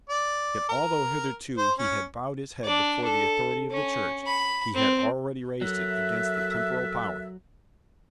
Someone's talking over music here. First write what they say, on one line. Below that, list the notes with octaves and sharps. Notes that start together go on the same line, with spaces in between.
Yet, although hitherto he had bowed his head before the authority of the Church, he had already raised it against the temporal power.
D5
A#4
C5
C#4
D4 D5
A4
C#4
B5
C4
F#3 A4 A#4 E5 F#6